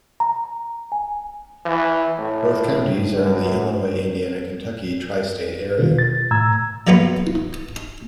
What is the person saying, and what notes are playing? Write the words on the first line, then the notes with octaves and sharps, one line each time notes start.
Both Counties are in the Illinois-Indiana-Kentucky Tri-State Area.
A#5
G#5
E3
A2
F#2
B2 D#3 F4
A6
A2 A#5 E6 G#6
F3 F#3 A#3 B3 F4